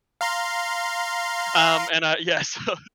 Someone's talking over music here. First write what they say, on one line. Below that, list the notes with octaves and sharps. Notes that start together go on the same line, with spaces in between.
um, and, uh, yeah, so
F5 A#5 C6